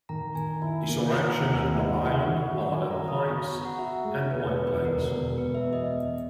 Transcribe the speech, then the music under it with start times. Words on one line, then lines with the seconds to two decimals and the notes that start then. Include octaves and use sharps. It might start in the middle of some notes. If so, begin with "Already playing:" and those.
He saw action at Long Island, Harlem Heights, and White Plains.
0.09 D#3 A#5
0.35 D#3 G#5
0.62 E4 G#5
0.88 A#3
1.15 D#3 A#5
1.28 A#5
1.41 D#2 F#5
1.54 G#5
1.68 E4 F#5
1.81 E5
1.94 E4 E5
2.07 F#5
2.20 F#4 F#5
2.46 F#4
2.73 D#3 G#5
2.91 A#5
3.00 F#4
3.08 D#6
3.26 B3 C#6
3.40 B5
3.52 F#4 A#5
3.65 F#5
3.79 F#4 E5
4.05 G#3
4.31 E1 B4
4.49 B4
4.58 E2
4.67 B4
4.85 E1 A#4
5.11 E1
5.37 E1 B4
5.55 E5
5.64 E2
5.73 D#5
5.90 E2